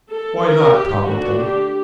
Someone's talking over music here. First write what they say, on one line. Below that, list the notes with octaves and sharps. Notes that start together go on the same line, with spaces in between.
"Why not probable?"
A4
A#4
G4
D3 A3 D4 F#4
G4